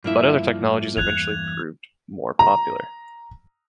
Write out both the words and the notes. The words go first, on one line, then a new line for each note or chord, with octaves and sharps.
But other technologies eventually proved more popular.
G2 F3 A#3 E4 E5
E2 E3 F#6 G#6 F7
A#5